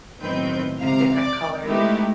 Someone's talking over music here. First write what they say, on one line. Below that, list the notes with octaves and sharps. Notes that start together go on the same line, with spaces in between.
of different colored
B1 A2 D#3 C4 B4 G6
C#2 C3 F5 A#5
D5 D6
G#3 A3 B3 D#4 E4 G4